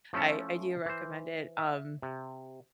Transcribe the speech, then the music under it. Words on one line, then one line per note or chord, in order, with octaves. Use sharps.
I I do recommend it, um,
F3 A3 C#4 E4 A4
E3 C5
E5
C3